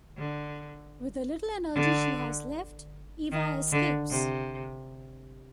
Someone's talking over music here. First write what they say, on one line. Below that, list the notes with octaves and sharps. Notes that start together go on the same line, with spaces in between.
With the little energy she has left, Eva escapes.
D3
D3
D#3
D3
C3